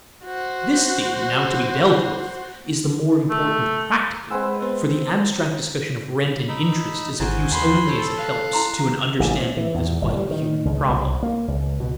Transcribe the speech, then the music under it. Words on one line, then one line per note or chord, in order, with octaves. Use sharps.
This theme now to be dealt with is the more important practically, for the abstract discussion of rent and interest is of use only as it helps to an understanding of this vital human problem.
F#4 C5
A3
G#3 C4 B4 C5 F#5 G#5 E6
B3
D#4 B5 E6
G#1 E4 F#4 C5 G#5
D#2 B5 C6
A4 C5 C#5
F5 F#6
E4 A#5 C6
A1
C3
E3
E2
G1
G3
D#3
C#2
C2
A#3
C#2
B2